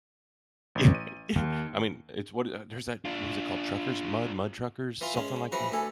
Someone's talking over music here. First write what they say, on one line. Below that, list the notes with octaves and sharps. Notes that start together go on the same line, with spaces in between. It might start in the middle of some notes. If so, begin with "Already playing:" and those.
I mean, it's what, uh, there's that, what is it called, truckers, mud mud truckers, something like that?
A1
D#7
D#2
D4 F4
E3 F4
G#3 C#4
E3 F3 F#4 B5
D2 A4 G#5